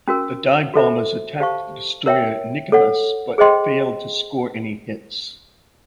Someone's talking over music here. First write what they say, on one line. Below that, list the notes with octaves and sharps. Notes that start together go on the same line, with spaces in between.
The dive bombers attacked the destroyer Nicholas but failed to score any hits.
C#4 F#4 A#4
F#4 A4 C5 E5
G4 C5 F5 A5 C#6
A#4 C#5 E5 G5
A4 C#5 F#5
G#4 C5 D#5 G5 C6